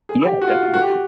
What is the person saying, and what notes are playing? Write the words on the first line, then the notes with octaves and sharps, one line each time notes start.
Yeah, definitely.
G#4
G4
F#4
F4
F#4
F4
F#4
G4
F#4